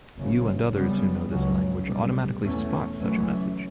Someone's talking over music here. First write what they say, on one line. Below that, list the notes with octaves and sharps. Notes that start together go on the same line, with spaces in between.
You and others who know this language automatically spot such a message.
F#1 F#2 C#3
F#2 C#3 G3 B3
C#2 C#3 F#3 C#4
B1 A2 G3
E2 B2 A3 C#4
F#1 F#2 E3 A3 C#4